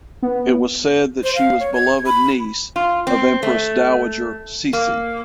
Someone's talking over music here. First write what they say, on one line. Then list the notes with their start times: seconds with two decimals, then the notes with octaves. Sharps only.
It was said that she was beloved niece of Empress Dowager Cixi.
0.22 B3
1.24 C5
1.35 F5
1.60 C#5
1.74 G#6
2.06 B5
2.76 F4
3.07 C4
3.43 A3
4.73 A#3